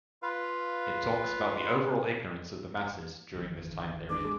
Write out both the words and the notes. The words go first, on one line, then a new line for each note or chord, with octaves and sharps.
It talks about the overall ignorance of the masses during this time period.
F4 B4 F5
G#1 D#2 E3
G#3 D4 D6
G#3